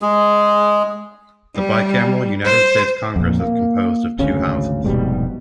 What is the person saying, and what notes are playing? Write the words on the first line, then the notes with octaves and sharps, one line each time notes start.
The bicameral United States Congress is composed of two houses.
G#3 G#4
G3
C5
F2 A#2
A#3
G#1 D2 C#3 C#4
F1 G#2 B2 G3